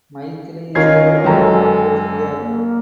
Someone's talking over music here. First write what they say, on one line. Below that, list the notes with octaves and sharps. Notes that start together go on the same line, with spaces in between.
Maithili is the Local Language here.
D#3 C#4 F4 A#4 D#5 G#6 C7
F#2 G#3 A4 C#5 G5 A#5
A#3